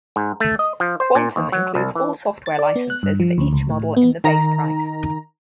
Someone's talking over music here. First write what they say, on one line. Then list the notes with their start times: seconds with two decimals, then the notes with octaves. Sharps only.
Quantum includes all software licenses for each model in the base price.
0.16 G#2
0.40 A3
0.59 D#5
0.80 F3
1.00 C5
1.15 A#2
1.36 D#2
1.52 F#3
1.75 C2
1.95 E3
2.46 A6
2.59 D5
2.76 B3
2.90 F#6
3.03 G2
3.20 F3
3.38 D2
3.53 C#2
3.70 A2
3.97 B3
4.24 D#3 A#5